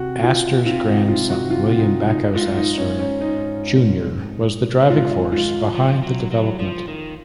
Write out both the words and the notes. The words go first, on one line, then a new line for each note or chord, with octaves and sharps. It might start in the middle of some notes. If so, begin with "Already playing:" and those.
Astor's grandson, William Backhouse Astor, Junior was the driving force behind the development.
Already playing: C3 F#4
F4
C3 F4
D#4
F4
F#4
F4
F4
D#4
D#4
G#2 F4
D#4
C#4
C#4
D#4
G#2 F4
G#2 F4
F3
F#3
F#3
F3
D#3